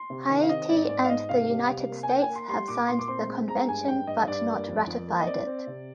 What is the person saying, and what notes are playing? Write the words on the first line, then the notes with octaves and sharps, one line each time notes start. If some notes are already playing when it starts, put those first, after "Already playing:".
Haiti and the United States have signed the Convention but not ratified it.
Already playing: C6
C3
D#3
F5
C4 D#5
G#2 D5
G#2 D5
F5
G#2 D#5
C3 F5
G3
C3
A#3
G#5
A#3 G5
G#5
A#3
C6
G3 C6
A#2 D6
A#2 C6
D6
C4 C6
G#3
G#3 A#5
G2 G#5
G2 G5
G2 D#5
G2 D5
A#3
F2
F2
A#3
D#5
C4 D5
C4
C3